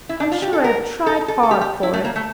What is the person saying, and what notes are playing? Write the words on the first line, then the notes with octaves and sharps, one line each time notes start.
I'm sure I have tried hard for it.'
E4
D4
F4
G4
A4
A#4
A4
A4
A4
G4
G4
E4
A3
A#3
A3